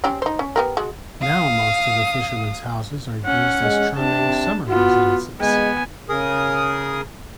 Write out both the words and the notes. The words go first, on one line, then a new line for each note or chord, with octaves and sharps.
Now most of the fishermen's houses are used as charming summer residences.
C4 C#4 G4
D#4 C5
C#4
B3 G4 A#4
G#3 F#4
F5 D#6
C#4 F#5
G#3
C3 D4 A5
B3 F4 F#4
G#3 B3 G#5
C#3 G#4 A#4 D#6